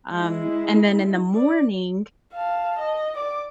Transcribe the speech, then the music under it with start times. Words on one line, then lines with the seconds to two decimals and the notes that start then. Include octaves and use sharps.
um, and then in the morning,
0.12 G#3 E4
1.34 D5
2.33 F5 A5
2.80 D#5
3.16 D5 D6